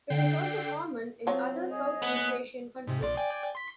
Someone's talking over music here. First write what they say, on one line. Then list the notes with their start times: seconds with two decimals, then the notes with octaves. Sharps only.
It is also common in other Southeast Asian countries.
0.10 D3 G5 C7
1.27 F3 F#3 C4
1.69 G#4 C#5 D#5
2.02 A#3 B3 F#5
2.87 G#2 C3
3.02 A#1 D5 C6
3.17 D5 G5 G#5
3.55 C6 B6